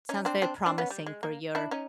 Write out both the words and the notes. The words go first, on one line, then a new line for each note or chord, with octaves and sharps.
sounds very promising for your
C#4 D#4
C4 D4
C4 D4
C4 D4
B3 C#4
G3
G#3
A#3
D4 E4
C#4 D#4